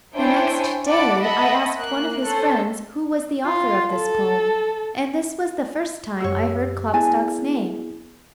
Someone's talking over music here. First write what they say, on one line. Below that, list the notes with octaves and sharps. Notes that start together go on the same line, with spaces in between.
The next day I asked one of his friends who was the author of this poem, and this was the first time I heard Klopstock's name.
D4 E4 C5 C#5 G5 G#5
D5 F#5 A5 B5 D6
D#5 E5 F#5 A5 B5
A#3 F#6
C#4 A4 C5
F4
A4
F#2 F#4 G4 C#5 E6
B3 E4 G#4 D5 G#5 A5